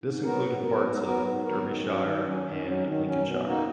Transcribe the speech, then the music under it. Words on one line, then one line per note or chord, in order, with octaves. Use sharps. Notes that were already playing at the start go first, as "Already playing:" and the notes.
This included parts of Derbyshire and Lincolnshire.
G#2
F#3 B3 F#4 A#4
G#2
F#3 B3 F#4 A#4
G#2
F#3 B3 F#4 A#4
G#2
F#3 B3 F#4 A#4
D#3
F#3 C#4
D#3
F#3 C#4
D#3
F#3 C#4
D#3
F#3 C#4
B2
A#3 D#4 F#4